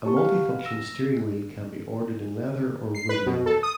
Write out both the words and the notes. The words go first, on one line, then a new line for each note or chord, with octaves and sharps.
A multifunction steering wheel can be ordered in leather or wood leather.
G4 A5 C#6
B4 F5 F#5 F6
E6 A#6
C7
B4
B2
A4
D#6